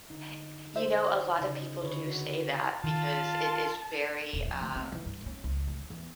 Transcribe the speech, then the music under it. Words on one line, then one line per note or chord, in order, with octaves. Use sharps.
Heh, you know, a lot of people do say that, because it is very, um,
D3 D#4
C5 E5
C#3 D#4
D3 B4 C#5
F#4
D#3 F4 A5
D#1
F3
D2
C4
E3
G2
C#4
C#2
D2
E2